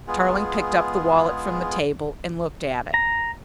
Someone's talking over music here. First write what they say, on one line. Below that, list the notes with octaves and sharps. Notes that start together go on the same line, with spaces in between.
Tarling picked up the wallet from the table and looked at it.
G#3 B3 F4 G#4
A#5